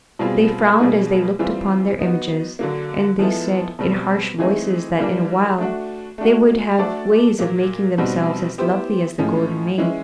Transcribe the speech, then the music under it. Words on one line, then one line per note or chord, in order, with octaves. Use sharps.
They frowned as they looked upon their images, and they said in harsh voices that in a while they would have ways of making themselves as lovely as the Golden Maid.
B2 G3 C4 F4 G#4
B2 G3 A#3 D#4 G#4
E3 G3 C4 F4
B3 D#4 F#4
D3 F#3 A#3
F3 G#3 B3 E4 A4
B2 G3 C4
E3 A3 C4 D#4 G#4
E3 G3 A#3 D4
A3 D4 F#4
A3 D4 F#4
A3 D4 F#4 A4 D5
A#2 F#3 A#3
B2 G3 C4 D#4 F#4
B3 E4 G4 C5
A2 F3 G#3 C#4
E3 G#3 C#4 E4